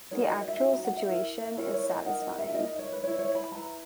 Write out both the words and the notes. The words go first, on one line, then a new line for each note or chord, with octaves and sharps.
The actual situation is satisfying.
D#4 F#4 A#4 C#5
D#5
D#5
E5
D#4 F#4
A#5
F#5
E5
E4 A#4
E4 A#4 C#5
C#5
D#5
D#4 A#4 F#5
D#5
E5
D#4 A#4 D#5
C#5
B4
E4 B4 C#5
C#5
B5
E4 B4 A#5